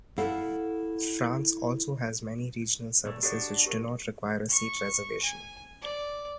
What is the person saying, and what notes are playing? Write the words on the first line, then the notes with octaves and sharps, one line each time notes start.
France also has many regional services which do not require a seat reservation.
E4 A4 F5 F#5
A#2 A3
D4 F#4 G4 A4 C#5
G4 A#4
C#6
G#5
D5